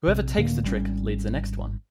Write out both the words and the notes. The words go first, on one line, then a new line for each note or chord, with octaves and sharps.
Whoever takes the trick leads the next one.
A#1 C3
C#2 A2 D3 A#3
G#1 G3 C#4